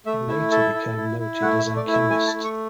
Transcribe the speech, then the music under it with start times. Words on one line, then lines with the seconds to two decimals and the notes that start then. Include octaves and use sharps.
He later became noted as a chemist.
0.06 A3 E5
0.28 E4 E5
0.52 A4 E5
0.74 E4
0.97 E4
1.20 E4
1.42 A3 F#5
1.59 E5
1.65 A3
1.76 D5
1.87 E4
1.93 E5
2.10 A3 G#5
2.27 A5
2.33 A3
2.44 C#6